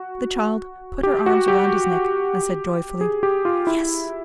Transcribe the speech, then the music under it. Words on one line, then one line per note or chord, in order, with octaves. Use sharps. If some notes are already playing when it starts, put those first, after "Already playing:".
The child put her arms around his neck, and said joyfully, "Yes."
Already playing: F#4
G4
F#4
G4
G#4
G4
F4
E4